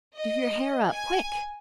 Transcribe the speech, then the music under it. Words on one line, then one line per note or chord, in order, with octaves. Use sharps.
"Do your hair up--quick!"
D#5
G#5